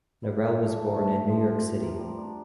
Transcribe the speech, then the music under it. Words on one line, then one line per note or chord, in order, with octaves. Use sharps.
Narell was born in New York City.
E4
E3
A3
A3
A3
G2
F3
C4
A2
A#4
G3
D4